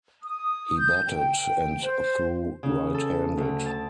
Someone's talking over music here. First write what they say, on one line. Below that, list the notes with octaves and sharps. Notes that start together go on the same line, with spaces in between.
He batted and threw right-handed.
D#6
G6
G5
C5
C#3
A4
D2
A5